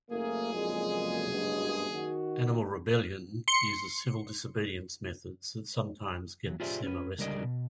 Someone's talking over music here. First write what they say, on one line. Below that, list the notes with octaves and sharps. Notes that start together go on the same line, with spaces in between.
Animal Rebellion use civil disobedience methods that sometimes get them arrested.
F#1 A3 A#3 G#4
F2 A#2 G#3
G2 B2 G#3
D#3 F#4
C6 C#7
E2 F#3
F4 G4 G#4 C5 D5 E5
C#4 B4
C#2 D3 G3 A#4 D5 D#5
B2